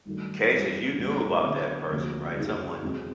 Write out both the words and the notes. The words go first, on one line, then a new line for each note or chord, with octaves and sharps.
cases you knew about that person, right, someone
G2 D#3 F#3 A3
G2 E3 G#3 B3
C2 A#2 F#3 A3 C4
D3 F#3 B3
D2 C3 F3 A#3
F#2 C#3 F#3 A#3 D#4
E2 B2 G#3 C4